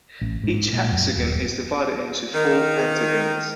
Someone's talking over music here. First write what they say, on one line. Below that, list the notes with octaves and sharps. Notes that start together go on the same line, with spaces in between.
Each hexagon is divided into four pentagons.
A1
G#2
A#2
F#2
D#1
D#3